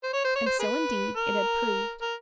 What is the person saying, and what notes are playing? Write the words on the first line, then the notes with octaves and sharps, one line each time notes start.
And so, indeed, it had proved.
C5
C#5
C5
C#5
C5
G#4 B4
A#4
A#4